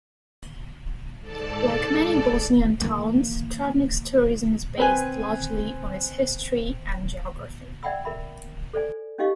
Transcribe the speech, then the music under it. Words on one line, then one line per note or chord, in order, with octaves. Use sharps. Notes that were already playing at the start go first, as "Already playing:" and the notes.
Like many Bosnian towns, Travnik's tourism is based largely on its history and geography.
G#2 A4 D5 A5
E3 A#3
C4 B4 G#5
D5 E5 F#5 G5 B5 E6
A#4 E5 B5
A4 C5 D5 G#5
C#4 D#4 G4 D#5 F5 C#6